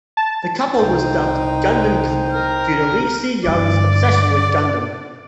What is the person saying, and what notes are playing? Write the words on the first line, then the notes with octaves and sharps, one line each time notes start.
The couple was dubbed "Gundam Couple" due to Lee Si-young's obsession with Gundam.
A5
C2 D#4 C5 G5
A#4 F6
G2 D3 D5